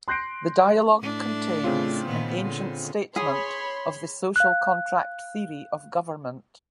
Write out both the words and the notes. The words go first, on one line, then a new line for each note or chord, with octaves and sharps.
The dialogue contains an ancient statement of the social contract theory of government.
C6 F#6 G6 A#6 C7 D7
A2 A3 D4
C#3 C4 F4
A#2 D#3 B3
D3
G#4 C#5 B5 C6
F5 F#6